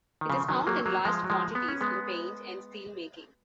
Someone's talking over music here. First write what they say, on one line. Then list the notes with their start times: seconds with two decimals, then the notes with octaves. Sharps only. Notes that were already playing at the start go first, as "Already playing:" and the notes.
It is found in large quantities in paint and steelmaking.
0.21 D#3
0.30 C#3 F3
0.48 D#3 F#3
0.67 F#3 A#3
0.86 F#3 A#3
1.05 F3 G#3
1.24 F#3
1.30 F3 G#3
1.55 B3
1.69 C#4
1.81 G#3 B3